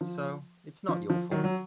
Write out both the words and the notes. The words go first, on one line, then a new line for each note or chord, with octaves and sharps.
So, it’s not your fault.
F3
F3
F3
D#3 F#3
F#3